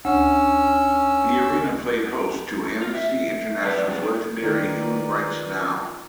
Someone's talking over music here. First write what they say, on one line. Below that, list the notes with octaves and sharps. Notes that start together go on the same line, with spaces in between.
The arena played host to Amnesty International's legendary Human Rights Now!
D2 C#4 E6
F4
E5
E3 F#3 B4 C5 D5
C3 F3 G#3 B3
D#3 A#3 D#4 F4 A#4 B4 D5 A#5